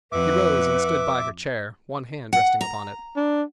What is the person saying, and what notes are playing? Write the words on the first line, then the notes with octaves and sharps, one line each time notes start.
She rose and stood by her chair, one hand resting upon it.
F2 B4 E5 F#5 D6
F#5
A#5
D4